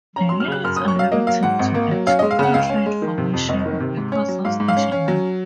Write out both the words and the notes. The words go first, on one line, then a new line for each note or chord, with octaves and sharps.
The units are limited to a two-car train formation because of station length.
C#4 A#5
C6
F#3
F6
C#3 F#6
F#2 F6
D#6
C#4
C#6
F#3 F5
A#3 D#5
F#3 F5
G#2 F#5
G#1
A#3
F#3
C#4 F5
D#5
G#3
F5
C#3 F#5
C#2 F5
C#4
G#3
D#3
C3
F2
F1 D#5
D#3
C3
G#2
C#4
F#3
G#2 F5
G#2
F5
C#4
C#4
F#3